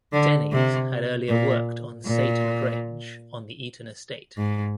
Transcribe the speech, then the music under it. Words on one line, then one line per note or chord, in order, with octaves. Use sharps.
Dennys had earlier worked on Saighton Grange on the Eaton estate.
D3
C3
A#2
A#2
G#2